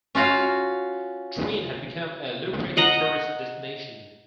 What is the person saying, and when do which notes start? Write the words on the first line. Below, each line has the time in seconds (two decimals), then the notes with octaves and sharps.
Treen had become a lucrative tourist destination.
0.15 C#4 F4 F#4 F5
2.77 D#5 F#5 A#5